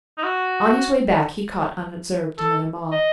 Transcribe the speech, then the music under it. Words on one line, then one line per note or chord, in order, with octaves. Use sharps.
On his way back he caught unobserved another moth.
D#4
F#4
A4
D#5